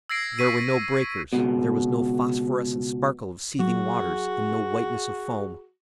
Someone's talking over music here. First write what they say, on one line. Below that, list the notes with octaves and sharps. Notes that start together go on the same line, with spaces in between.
There were no breakers; there was no phosphorescent sparkle of seething waters, and no whiteness of foam.
E6 G#6 A#6 C7 D7
C#6 B6 D#7
C#2 B2
F#3 F#4 G#4